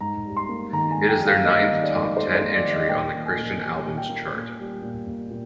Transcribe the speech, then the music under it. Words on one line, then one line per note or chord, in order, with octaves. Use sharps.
It is their ninth top ten entry on the Christian Albums chart.
G#2 A#5
G3
C6
A#3
D#3 A#5
G#5
G#2
G5
G3
F5
A#3 D#5
D#3
D5
G#2
G3 C5
C5
A#3
D5
D#3
D#5
A#2 G5
A#3
G#5
A#2
G3 G#5
A#2
G5
A#3
A#2
G3
A#2
A#3
A#2